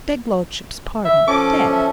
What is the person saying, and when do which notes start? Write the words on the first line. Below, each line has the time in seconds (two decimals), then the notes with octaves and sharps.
"Begludship's pardon--dead."
1.05 E5
1.27 F3 C#4 A4 D6
1.73 E5